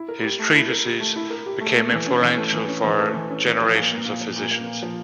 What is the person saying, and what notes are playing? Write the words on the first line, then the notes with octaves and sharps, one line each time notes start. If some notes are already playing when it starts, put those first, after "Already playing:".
His treatises became influential for generations of physicians.
Already playing: E4
A#4
G4
A3
E4
A#4
G4
A3
E4
A#4
G4
A3
A3
E3
C#4
E3
A3
E3
C#4
E3
A3
E3
C#4
E3
F3
A#2
A#3
A#2
F3
A#2
A#3
A#2
F3